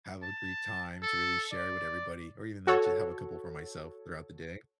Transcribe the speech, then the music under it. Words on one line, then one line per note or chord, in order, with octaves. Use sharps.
have a great time to really share with everybody or even then just have a couple for myself throughout the day.
A5
A4
D5
F#4 A4 C#5